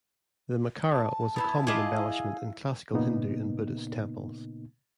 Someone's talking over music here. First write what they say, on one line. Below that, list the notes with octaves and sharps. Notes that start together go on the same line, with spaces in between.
The Makara was a common embellishment in classical Hindu and Buddhist temples.
A5
B3 D#4 E4 B5
E4 F4 G#4 D#5 F5 D6
A#2 C#3 A#3 B3 D#4